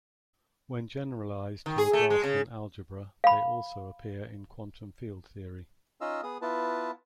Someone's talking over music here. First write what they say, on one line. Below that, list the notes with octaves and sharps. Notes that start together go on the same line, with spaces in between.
When generalized to a Grassmann algebra, they also appear in quantum field theory.
D#3
G#4
A3
G#3
C#3
F5 B5
C#4 D#4 F4 D#5 F5 E6
B3 G#4 D#6
B3 E4 F4 B4 A5